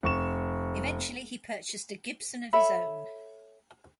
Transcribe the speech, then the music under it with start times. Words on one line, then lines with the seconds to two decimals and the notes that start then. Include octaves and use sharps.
Eventually he purchased a Gibson of his own.
0.03 F1 C#6 E7
2.53 A4 C#5 E5 B5